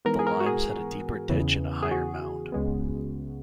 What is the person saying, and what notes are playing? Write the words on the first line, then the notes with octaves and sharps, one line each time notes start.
The Limes had a deeper ditch and a higher mound.
G#2 E3 B3 A#4
G#4
A#4
F#4
G#4
E2 C#3 E3 B3
G#4
F#4
C#2 C#3 G#3 B3